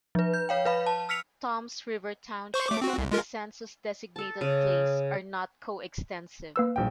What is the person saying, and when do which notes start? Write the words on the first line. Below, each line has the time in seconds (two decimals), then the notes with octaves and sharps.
Toms River Township and the census-designated place are not co-extensive.
0.15 F3 B4
0.34 G6
0.49 C#5 F5 G5
0.65 B4 F5 B5
0.86 A5
1.09 E6 F6 B6 C#7 F7
2.54 C5 C#6
2.68 A3 D6
2.82 C4 F#4
2.98 C2
3.11 G#3 F4 A#4
4.16 A4 A5
4.41 C#3
6.56 A#3 B4 E6
6.76 D#1 A#1 G5